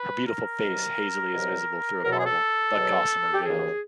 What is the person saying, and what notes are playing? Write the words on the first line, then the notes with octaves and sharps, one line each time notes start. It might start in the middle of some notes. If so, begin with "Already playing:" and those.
Her beautiful face hazily is visible through a marble but gossamer veil.
Already playing: B4
A#4
C2 B2 F#3
C2 B2 F#3
E2 B2 F#3 A#4
A4
G#4
A4
E2 B2 F#3
G4
D#2 C#3 E3 G#4